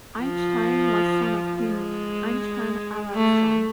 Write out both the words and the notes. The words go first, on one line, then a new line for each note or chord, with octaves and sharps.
Eystein was son of King Eysteinn Haraldsson.
F3
G#3
A3